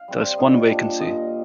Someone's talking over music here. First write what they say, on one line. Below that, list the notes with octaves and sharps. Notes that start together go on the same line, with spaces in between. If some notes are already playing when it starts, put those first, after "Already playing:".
There is one vacancy.
Already playing: F5
G3 C4
A#2 D#5
G3 D4
A#2 D#5